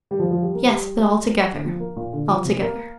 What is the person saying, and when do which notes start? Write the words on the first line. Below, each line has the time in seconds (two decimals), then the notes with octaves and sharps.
"Yes, but altogether; altogether."
0.11 G3
0.19 F3
0.31 F3
0.42 G3
0.54 A#3
0.67 G3
1.53 D3
1.65 F3
1.80 A#3
1.96 A#2
2.13 D3
2.29 F3
2.45 C3
2.61 A#3